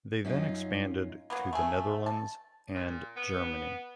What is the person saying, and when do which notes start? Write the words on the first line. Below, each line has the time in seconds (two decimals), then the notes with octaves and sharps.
They then expanded to the Netherlands and Germany.
0.25 F#2 C#4 D#4 F4
1.30 F#3 A#3 B3
1.53 A3 G#4
2.06 A5
2.75 A#2
3.16 B3